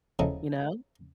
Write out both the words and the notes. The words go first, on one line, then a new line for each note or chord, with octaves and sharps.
You know?
C#3 F3 F#3 A3 D#4 E4